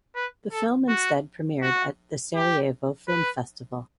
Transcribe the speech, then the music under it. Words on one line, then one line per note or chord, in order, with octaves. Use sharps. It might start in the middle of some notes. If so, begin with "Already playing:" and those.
The film instead premiered at the Sarajevo Film Festival.
B4
A4
F#4
F#4
G4
B4